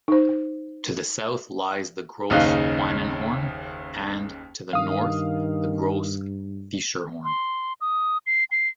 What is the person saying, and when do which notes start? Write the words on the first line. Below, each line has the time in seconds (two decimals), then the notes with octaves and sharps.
To the south lies the Gross Wannenhorn and, to the north, the Gross Fiescherhorn.
0.08 D#4 C5
2.30 F#1 D#2 C#3 D#4 F5 F#6
4.73 G2 D#3 F5 D#6
7.24 C6
7.81 D#6
8.26 C7
8.52 C7